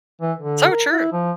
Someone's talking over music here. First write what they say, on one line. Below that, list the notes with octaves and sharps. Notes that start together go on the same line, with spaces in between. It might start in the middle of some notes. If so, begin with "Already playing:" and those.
So true.
E3
D3
A#4
E4
F3